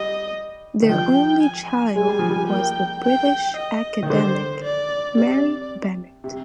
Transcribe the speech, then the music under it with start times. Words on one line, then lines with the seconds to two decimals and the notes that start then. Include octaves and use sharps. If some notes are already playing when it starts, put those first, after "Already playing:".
Their only child was the British academic, Mary Bennett.
Already playing: G3 D#5
0.82 D#3
0.89 F3 G5
1.43 G#5
1.96 G#3 G#5
2.08 G3
2.19 F3
2.30 G3
2.50 A#3 G5
3.03 G5
3.56 D#5
4.03 D#3
4.10 D3 C5
4.64 D5
5.17 C3 D5
6.24 C3